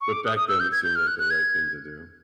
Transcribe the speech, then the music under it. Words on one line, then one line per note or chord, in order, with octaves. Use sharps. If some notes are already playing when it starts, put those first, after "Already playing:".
but back then, it seemed like the right thing to do.
C#6
D6
D#6
D#6
E6
G6
G#6
G6
F6
F#6
F#6
G#6